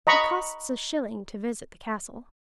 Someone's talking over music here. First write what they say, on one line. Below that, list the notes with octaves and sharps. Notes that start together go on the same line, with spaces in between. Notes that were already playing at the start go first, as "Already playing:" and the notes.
It costs a shilling to visit the castle.
D#5 A#5 B5 C#6